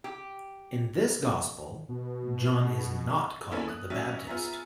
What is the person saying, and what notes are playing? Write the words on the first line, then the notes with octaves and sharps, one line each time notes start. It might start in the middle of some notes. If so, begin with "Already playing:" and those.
In this gospel, John is not called the Baptist.
G4
B2
A#3 B3 C#4 E4 A4
D#6 F#6
F#3 G3 C#4 E5
B3 F4 G#4 E5 A#5